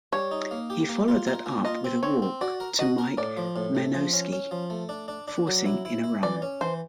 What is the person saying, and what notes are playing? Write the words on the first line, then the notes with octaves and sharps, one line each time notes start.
He followed that up with a walk to Mike Menosky, forcing in a run.
G3 C#5
D#4
A#3
G4
A#3
F4
A#4
A#3
F4 D#5
C4
C4 C#5
C4
F#4 D5
A#4
F#4 D#5
A#4
A2 D5
F3
A2
A3
F3
C#4
C#4
F3
A3
D4
D4
D4
F#3
E4
E4
E4
E3 D5
C#4
E3 C5